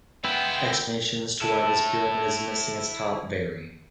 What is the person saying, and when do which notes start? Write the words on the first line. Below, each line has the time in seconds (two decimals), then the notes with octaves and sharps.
Explanations to why this pyramid is missing its top vary.
0.24 G#3 B3 E4 F4 G5
1.41 E4 A4